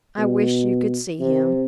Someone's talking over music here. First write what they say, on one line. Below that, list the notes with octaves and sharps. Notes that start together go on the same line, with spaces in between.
I wish you could see him!
B2
C3